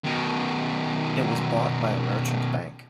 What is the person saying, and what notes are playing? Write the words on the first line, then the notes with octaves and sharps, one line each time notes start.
It was bought by a merchant bank.
B2 D#3